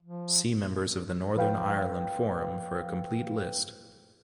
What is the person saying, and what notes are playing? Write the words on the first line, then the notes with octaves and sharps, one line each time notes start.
See members of the Northern Ireland Forum for a complete list.
F3
F3 B4 F5 G5